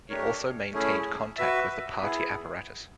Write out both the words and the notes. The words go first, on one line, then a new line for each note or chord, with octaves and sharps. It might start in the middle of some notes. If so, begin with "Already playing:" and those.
He also maintained contact with the party apparatus.
A3 D4 G4 A#4 C#5
A3 C#4 E4 G#4
F#4 B4 E5
B3 E4 G#4